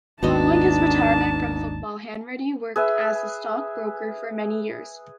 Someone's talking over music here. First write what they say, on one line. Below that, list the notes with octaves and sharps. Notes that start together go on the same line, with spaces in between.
Following his retirement from football, Hanratty worked as a stock broker for many years.
G#1 D#2 B3 D4 D#4 F#4 D#5 A5
G#4 B4 E5